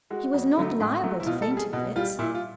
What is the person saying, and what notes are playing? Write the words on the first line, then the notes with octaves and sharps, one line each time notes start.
He was not liable to fainting fits.
G#3 F#4
F2
D3 F#3 A3
A2
F#3 A3
E4
B2 F4
A4
G3
G#4
B2 F#4
G3 F4
A#2 E4
F4